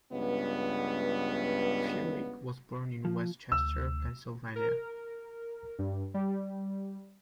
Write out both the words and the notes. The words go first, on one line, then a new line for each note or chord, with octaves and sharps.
Furyk was born in West Chester, Pennsylvania.
C#2 G2 B3
F3
D2 E6
A#4
G2
G3